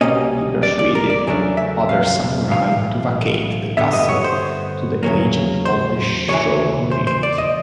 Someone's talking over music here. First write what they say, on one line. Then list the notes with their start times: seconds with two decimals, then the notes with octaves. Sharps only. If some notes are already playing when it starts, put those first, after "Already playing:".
He persuaded other samurai to vacate the castle to the agents of the Shogunate.
0.01 C2 B2 G3 A#3 C#4 D#5
0.63 D5
0.79 D5
0.95 A#4
1.10 D5
1.27 E2 C#3 F#3 A3 D4
1.57 E5
1.89 F5
2.51 B1 A2 E3 F5
3.77 G2 D3 G3 B3 E5
3.93 D#5
4.09 C#5
4.24 C5
5.03 E2 C#3 F#3 A#3
5.65 C5
6.28 E2 C#3 E3 C#5
6.91 C5
7.07 C5
7.23 D5
7.38 D#5